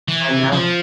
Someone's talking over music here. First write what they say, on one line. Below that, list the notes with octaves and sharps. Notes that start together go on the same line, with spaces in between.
I know.
E3
F3